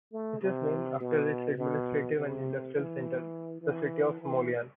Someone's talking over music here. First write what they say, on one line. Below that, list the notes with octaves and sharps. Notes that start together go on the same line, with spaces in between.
It is named after its administrative and industrial centre - the city of Smolyan.
A3
C3
B2
B2
C3
E3
E3
E3